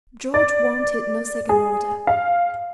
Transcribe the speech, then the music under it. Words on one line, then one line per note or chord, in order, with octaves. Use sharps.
George wanted no second order.
D5
G#4
F5